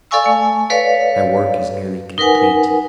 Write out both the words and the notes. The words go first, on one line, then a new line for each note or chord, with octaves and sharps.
My work is nearly complete.
A4 D5 F5 G#5 C#6 E6
A3 G#5
A4 B4 C#5 D5 F5
D#4 A#4 B4 F#5 G#5